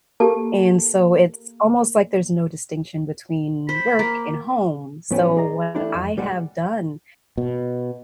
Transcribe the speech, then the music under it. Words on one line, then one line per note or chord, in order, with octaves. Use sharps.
and, so it's almost like there's no distinction between work and home, so what I have done
A#3 G4 A4 A5
C5 B5
A#3
A2 F3 F#3 B3 C#4 G5
G#4 D5 D#5 A#5
E3 A3 D4 E4 G4
F2
B1 B2 G3 G#3 D5 F#5
B2